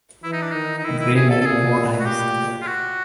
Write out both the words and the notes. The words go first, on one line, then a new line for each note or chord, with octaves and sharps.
Grey married four times.
E3 E4
D#4
D4
D#3 D#4
D#4
D#3 E4
E4
C3 G#4
A4
A4
A#2 G#4
F#4
A#2 G4
F4
F#4